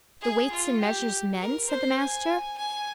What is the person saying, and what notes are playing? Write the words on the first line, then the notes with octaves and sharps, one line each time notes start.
The weights and measures men! said the Master.
G#4
F4
G4
A#4
C5
G#5
G#5